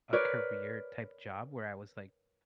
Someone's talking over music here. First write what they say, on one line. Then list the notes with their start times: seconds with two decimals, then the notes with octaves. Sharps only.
a career-type job where I was like,
0.13 A#4 B4 C#5 D5